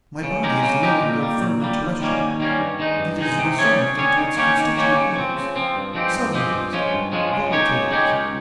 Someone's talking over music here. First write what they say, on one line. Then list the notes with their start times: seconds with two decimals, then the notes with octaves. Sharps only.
My body is no longer firm and terrestrial; it is resolved into its constituent atoms, subtilised, volatilised.
0.23 C#3
0.43 G#3 D#4 G4 A#4
0.63 C#3
0.82 G#3 D#4 G4 A#4
1.03 A#2
1.22 G3 A#3
1.42 A#2
1.62 G3 A#3
1.81 D#2
2.01 D#3 G3 A#3 C#4
2.21 D#2
2.40 D#3 G3 A#3 C#4
2.60 G2
2.79 D#3 G#3 D#4
2.99 G2
3.18 D#3 G#3 D#4
3.39 C3
3.59 G3 C#4 G#4 C#5
3.78 C3
3.98 G3 C#4 G#4 C#5
4.17 D#3
4.37 A#3 C#4 G4 C#5
4.57 D#3
4.77 A#3 C#4 G4 C#5
4.96 C#3
5.16 F3 C4
5.36 C#3
5.56 F3 C4
5.75 G2
5.94 F3 G#3 C4 G4
6.14 G2
6.33 F3 G#3 C4 G4
6.54 G2
6.73 F3 G#3 C#4 F4
6.93 G2
7.12 F3 G#3 C#4 F4
7.33 C#3
7.52 G#3 D#4 G4 C#5
7.72 C#3
7.91 G#3 D#4 G4 C#5
8.12 C#2